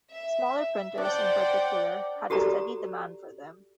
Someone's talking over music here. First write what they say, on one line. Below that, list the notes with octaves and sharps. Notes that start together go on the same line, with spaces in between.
Smaller printers in particular had a steady demand for them.
E5
D4 C5 D5 F#5 G5
F#4 G4 A4 D5 A#5